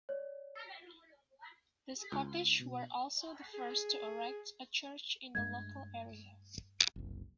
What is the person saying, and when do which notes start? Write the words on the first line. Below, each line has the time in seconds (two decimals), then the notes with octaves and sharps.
The Scottish were also the first to erect a church in the local area.
0.09 C#5 D5
2.12 C#2
2.60 B2
3.54 G#4
5.35 G2 G#3 A3 G#6
6.96 F#1 C2